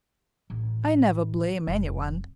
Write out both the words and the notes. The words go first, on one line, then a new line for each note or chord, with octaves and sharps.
I never blame anyone.
A1
F1